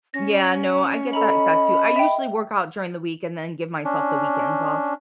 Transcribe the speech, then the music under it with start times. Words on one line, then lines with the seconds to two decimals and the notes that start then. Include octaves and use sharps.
Yeah, no, I get that that, too; I usually work out during the week and then give myself the weekends off.
0.14 C#4 A#6
1.13 A4 D#5 A#5 B5 F#7
1.96 E5 G5
3.85 C#4 D4